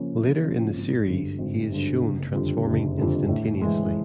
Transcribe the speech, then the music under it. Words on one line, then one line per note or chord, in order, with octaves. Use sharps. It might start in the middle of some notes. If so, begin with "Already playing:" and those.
Later in the series he is shown transforming instantaneously.
Already playing: C#3 F3 A#3 C#4
C#3
F3 A#3 C#4
G#1
G2 D3
G#1
G2 D3
F#1
F2 D3 G3
F#1
F2 D3 G3
A2
E3 G#3